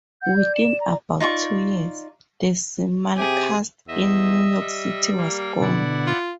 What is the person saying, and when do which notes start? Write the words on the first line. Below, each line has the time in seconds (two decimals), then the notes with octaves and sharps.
Within about two years, the simulcast in New York City was gone.
0.22 F#5 G6
0.36 D5
0.55 E7
0.80 A#5
1.20 D#4 F4 D5 C#6
3.17 C3 G4 G#4
3.88 E2 D#5 E5
4.61 G3
5.18 A#3
5.61 B2 D3 E4 D5 F#5
6.07 F4